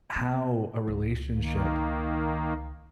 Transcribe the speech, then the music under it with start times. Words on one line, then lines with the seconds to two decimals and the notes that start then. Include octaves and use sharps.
how a relationship
0.16 B3
0.87 C#2
1.37 D#3 A#3